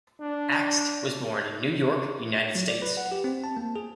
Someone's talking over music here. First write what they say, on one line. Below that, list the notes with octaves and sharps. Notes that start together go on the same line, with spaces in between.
Akst was born in New York, United States.
D4
F#3
D5
B4
F#5
G4
C4
A5
A#3
G#4